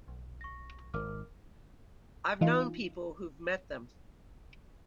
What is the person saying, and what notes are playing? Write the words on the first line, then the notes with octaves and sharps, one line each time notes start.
I've known people who've met them.
B1
C#6 A#6
G#1 A#4 D6 F6
E3 D#4 F4